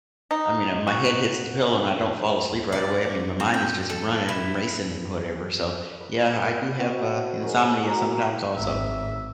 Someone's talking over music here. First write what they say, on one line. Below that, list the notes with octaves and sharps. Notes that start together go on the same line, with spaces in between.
I mean, and my head hits the pillow and I don't fall asleep right away, I mean, my mind is just running and racing and whatever, so, yeah, I do have, uh, insomnia sometimes also,
D#4
F#4
D5
C4
G5
A4
E4
B4
C4 F#4 D#5
C#4 D#4 G#4 A#4
F#3 D6
G#1 G#2 E5